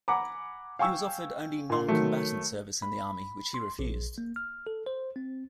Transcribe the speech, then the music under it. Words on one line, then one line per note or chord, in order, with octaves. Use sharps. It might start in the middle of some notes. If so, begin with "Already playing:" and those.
He was offered only non-combatant service in the army, which he refused.
F#5 G#5 A#5 B5 D6
F5 G5 G#5 C#6 E6
A#2 C6
D#3 F#3 A3
B5
C6
A#1
A#3
F6
A4
C5
C4